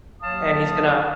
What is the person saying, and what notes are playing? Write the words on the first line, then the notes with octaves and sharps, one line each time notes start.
and he's gonna
D#2 F#3 C#5 F5 A5 D#6